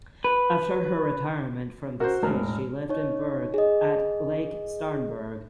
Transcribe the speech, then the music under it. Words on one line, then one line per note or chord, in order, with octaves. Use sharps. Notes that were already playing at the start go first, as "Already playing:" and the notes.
After her retirement from the stage she lived in Berg at Lake Starnberg.
B4
F#4 A#4 C5
E1 A2 A#4
D#4 C#5
G#4 D#5